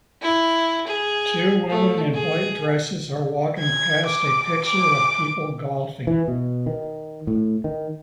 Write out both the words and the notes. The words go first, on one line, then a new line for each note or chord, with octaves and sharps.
Two women in white dresses are walking past a picture of people golfing.
E4
G#4
A3
G#4
G#6
D6
D6
E3
B2
D#3
A2
D#3